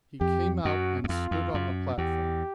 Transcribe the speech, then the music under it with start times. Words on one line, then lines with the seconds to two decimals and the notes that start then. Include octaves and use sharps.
He came out and stood on the platform...
0.21 F2 G4
0.64 F#2 F#4
1.04 F#2
1.09 F2 F4
1.31 F2
1.54 F#2
1.98 E2 G4